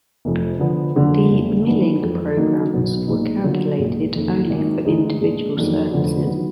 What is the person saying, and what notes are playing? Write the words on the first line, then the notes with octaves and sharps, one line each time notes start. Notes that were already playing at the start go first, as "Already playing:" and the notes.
The milling programs were calculated only for individual surfaces.
F1 F2 F3
D3 F3 B3
F2 D3 F#3 A#3 D4
F#1 F2 D3
F#2 D#3 F#3 B3 D4
F2 F3 G#3
D#3 F#3 A#3 D#4 F#4
B1 B2 F#3 B3
B1 A#2 G#3 D#4
D3 F#3 A#3 F4
B1 A#2 G#3
F#1 F2 D#3
G#1 F#2 D#3 F#3 A#3
D2 D3 G#3 D#4
A#2 G#3 D4 G#4
F2 D#3 F#3 A#3 D4
F1 F2 D3 F3 B3
D#3 F#3 B3